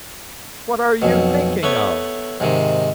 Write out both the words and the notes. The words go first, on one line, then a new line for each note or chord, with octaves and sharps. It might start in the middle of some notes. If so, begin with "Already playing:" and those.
'What are you thinking of?'
B1 F2 B2
A3 B3 B4 C#5
G#2 C3 D#3